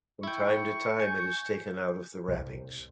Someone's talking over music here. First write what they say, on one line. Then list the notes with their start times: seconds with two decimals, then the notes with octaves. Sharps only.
From time to time it is taken out of the wrappings.
0.23 E4 G5 C#6
1.00 G#5 G6
2.28 C2